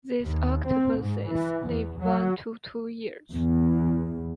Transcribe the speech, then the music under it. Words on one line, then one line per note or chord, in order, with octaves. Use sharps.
These octopuses live one to two years.
D#2
C4
G#2
E3
E2
F#3
E2